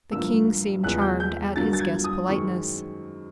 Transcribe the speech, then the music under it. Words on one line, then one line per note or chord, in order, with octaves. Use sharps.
The king seemed charmed at his guest's politeness.
A1 G2 D3 F3 A#3 E6
E2 C#3 F3 G#3 B3 F#6
G6
G6
G2 D3 F#3 A#3 A6
A6
G#6
D#6
F#2 D#3 G#3 C4 C#6